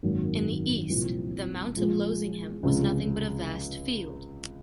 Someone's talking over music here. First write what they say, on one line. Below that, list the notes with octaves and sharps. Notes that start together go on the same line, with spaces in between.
In the East, the Mount of Lozinghem was nothing but a vast field.
G#1 F#2 D#3 F#3 A#3
C2 A#2 F3 C4
A#2 F3 G#3
C#2 C3 F3 G#3 C#4